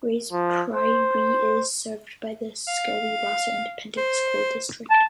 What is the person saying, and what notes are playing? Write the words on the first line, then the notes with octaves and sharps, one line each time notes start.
Grays Prairie is served by the Scurry-Rosser Independent School District.
F3
C5
F5
C5
A5